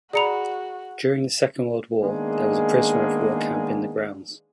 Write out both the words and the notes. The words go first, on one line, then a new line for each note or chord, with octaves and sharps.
During the Second World War there was a prisoner-of-war camp in the grounds.
F#4 G#4 D5 A#5 B5 C#7 F7
D#3 G#3 A#3 B3 D4 G#4